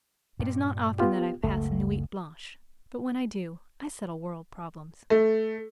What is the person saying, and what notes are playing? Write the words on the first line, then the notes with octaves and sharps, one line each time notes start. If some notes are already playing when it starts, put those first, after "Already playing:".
It is not often that I pass a NUIT BLANCHE; but when I do, I settle world problems.
G2 A#2
B3 F4 G4
F#1 C#2 A3
A3